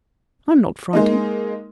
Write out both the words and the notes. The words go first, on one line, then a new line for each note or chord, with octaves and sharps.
"I'm not frightened."
G#3 A#3 D#4